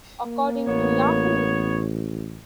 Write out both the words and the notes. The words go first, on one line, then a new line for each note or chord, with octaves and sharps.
According to Yahoo!
A#3
A1 B3 C#5